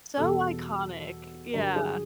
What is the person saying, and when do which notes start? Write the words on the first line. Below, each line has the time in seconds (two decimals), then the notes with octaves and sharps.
So iconic. Yeah.
0.17 E2 B2 G3 A4
1.54 G2 D3 F#3 A#4
1.76 G#4